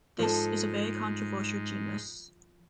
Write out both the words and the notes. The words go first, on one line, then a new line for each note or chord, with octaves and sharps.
This is a very controversial genus.
G#2 F3 A4